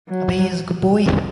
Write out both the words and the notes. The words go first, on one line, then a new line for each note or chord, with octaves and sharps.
Abhay is a good boy.
F#3